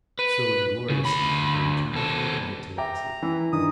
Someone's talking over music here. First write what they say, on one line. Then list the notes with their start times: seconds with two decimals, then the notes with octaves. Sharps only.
So, ingloriously, they returned through the night to Locksley.
0.19 B4
0.90 C#3
1.05 D2 B5
1.93 D#2 A4
2.78 E5 G5 A#5 D6
3.22 E3
3.52 G2 D#3 D#6